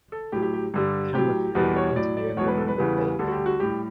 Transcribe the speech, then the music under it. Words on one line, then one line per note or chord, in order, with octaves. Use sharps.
Camera crew interviewing woman with baby.
A4
A2 F#3 G4
G4
G4
G2 D3 G3
A2 F#3 G4
E2 B2 G3 B4
C#5
A2 F#3 D5
D5
E2 B2 F#3 C#5
B4
A4
B4
E2 C#3 E3 G3
D2 D3 G3 A4
F#4
G4
F#4
A2 G3 G4